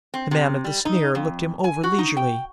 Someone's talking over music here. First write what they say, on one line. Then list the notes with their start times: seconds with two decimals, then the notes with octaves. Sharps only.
The man of the sneer looked him over leisurely.
0.14 C4
0.31 C3
0.64 G3
0.85 D#4
1.15 F2
1.64 G#5
1.83 F#4
1.98 D#4
2.17 G5